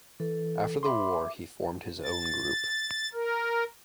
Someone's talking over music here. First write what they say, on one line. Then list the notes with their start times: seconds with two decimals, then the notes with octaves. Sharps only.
After the war he formed his own group.
0.20 E3 A4
0.83 E5 B5 C6 D6
2.03 A6
3.13 A#4